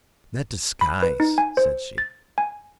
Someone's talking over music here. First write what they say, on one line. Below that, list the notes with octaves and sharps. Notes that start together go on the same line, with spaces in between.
"That disguise!" said she.
B5
B4
D#4
G#5
C5
A6
G#5